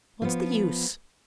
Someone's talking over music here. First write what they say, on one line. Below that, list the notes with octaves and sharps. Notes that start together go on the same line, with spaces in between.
What's the use?
F3 B3